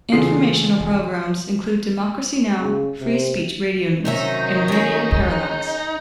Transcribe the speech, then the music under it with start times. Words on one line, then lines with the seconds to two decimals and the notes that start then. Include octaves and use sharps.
Informational programs include Democracy Now, Free Speech Radio News, and Radio Parallax.
0.12 E2 C#3 A3 F4 D#6 C7
2.59 C#3
3.00 C3
4.05 C3 D#3 F#3 C#4 D#4 E5
4.68 C#4 G#4